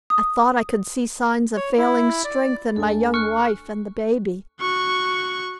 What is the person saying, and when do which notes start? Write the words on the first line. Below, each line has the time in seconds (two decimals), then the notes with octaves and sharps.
I thought I could see signs of failing strength in my young wife and the baby.
0.10 D#6
1.57 C#5
1.78 E4
2.24 D5
2.76 D2 D4 A4 G#5
3.14 C#6 F6 F#6
4.61 F#4 C#6